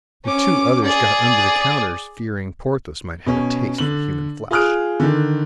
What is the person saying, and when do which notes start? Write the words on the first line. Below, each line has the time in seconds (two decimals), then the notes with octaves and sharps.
The two others got under the counters, fearing Porthos might have a taste for human flesh.
0.25 C#4 D6
0.84 G#4 D5
3.26 B2 C#4
3.78 D3 F#7
4.51 F4 G#4 D#6 F6 F#6 D7
5.00 D3 D#3